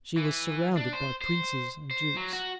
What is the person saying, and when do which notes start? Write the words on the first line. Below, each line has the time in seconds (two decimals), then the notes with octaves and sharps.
She was surrounded by princes and dukes.
0.17 E3
0.77 D4
0.93 C5
1.21 C5
1.91 C5
2.17 F#3
2.33 F#4